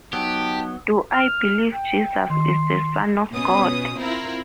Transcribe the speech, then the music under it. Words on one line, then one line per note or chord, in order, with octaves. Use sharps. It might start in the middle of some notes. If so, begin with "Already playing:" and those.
Do I believe Jesus is the son of God?
F#3 B3 D#4 G4 A5
F6
G5
D#3 C6
B2 B3 C#4 D#6
C4 E4 F4 A#4